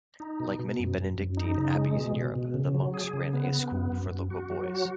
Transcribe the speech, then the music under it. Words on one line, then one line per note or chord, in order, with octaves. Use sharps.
Like many Benedictine abbeys in Europe, the monks ran a school for local boys.
D#4
B2
B2
F#2
F#2
F#2
D#4
C#3
G#3
B2
B2
B2
C#3
F#3
G#4
C#3
B3
B3
F#2
F#2
F#2
F#4
F#3
F#4